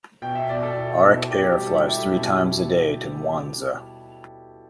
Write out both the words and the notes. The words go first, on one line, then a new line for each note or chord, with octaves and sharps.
Auric Air flies three times a day to Mwanza.
B2 G5
E5
B2 D5
A4
E4
B2
B2 G4
G3
A4
G4
G3 E4
B2